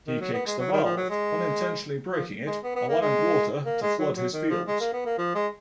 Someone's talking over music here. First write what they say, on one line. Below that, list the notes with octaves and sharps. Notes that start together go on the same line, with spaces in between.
He kicks the valve, unintentionally breaking it, allowing water to flood his fields.
D#3
F#3
B3
G#3
F#3
D#3
F3
F#3
G#3
F3
G#3
B3
B3
A#3
G#3
A#3
G#3
F#3
F#3
D#3
F3
G#3
A#3
B3
A#3
F3
G#3